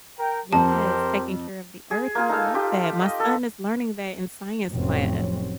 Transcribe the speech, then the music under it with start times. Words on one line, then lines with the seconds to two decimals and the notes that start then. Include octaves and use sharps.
Yes, taking care of the earth, I love that, my son is learning that in science class.
0.18 A#4 G5
0.53 F2 G4 A#4 C5 A5
1.91 G#4
2.15 A#3 F4 G#4
2.29 D#4 A4 F5
2.54 F4 G4
3.02 D#5
3.20 A4
4.72 F1 F2 A2 F#3 C4 C#4